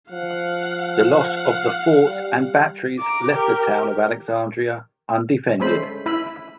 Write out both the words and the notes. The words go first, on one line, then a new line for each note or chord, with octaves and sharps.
The loss of the forts and batteries left the town of Alexandria undefended.
F3 F5 F#5
G3
A#5 D6
G4 A#4
G#3 A3 C#4 A4 C5 B5
E4 E5 B5